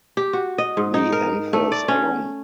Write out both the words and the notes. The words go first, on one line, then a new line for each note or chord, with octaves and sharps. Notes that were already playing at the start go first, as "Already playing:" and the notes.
The anthers are long.
G4
F#4
D#5
G#2
D#4
A#4
A3
D5
C#4